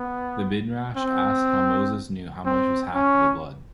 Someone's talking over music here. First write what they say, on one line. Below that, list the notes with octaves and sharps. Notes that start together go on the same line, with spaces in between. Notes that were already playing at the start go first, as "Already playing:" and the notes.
The Midrash asked how Moses knew how much was half of the blood.
Already playing: B3
C4
C4
C#4